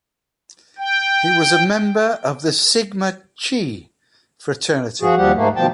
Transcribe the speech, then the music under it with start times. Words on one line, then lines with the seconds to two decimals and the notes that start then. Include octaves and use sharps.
He was a member of the Sigma Chi fraternity.
0.78 G5
5.02 F3 F#4 G#4
5.17 D#2 F3 G3 G4 F#5
5.35 G#2 A3 A#3
5.56 D#2 B2 F3 G5 A5